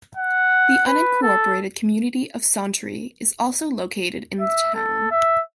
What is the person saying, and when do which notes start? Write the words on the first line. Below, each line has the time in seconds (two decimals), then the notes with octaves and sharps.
The unincorporated community of Sauntry is also located in the town.
0.17 F#5
0.87 B4
1.22 A4
4.40 E5
4.75 A4
5.11 E5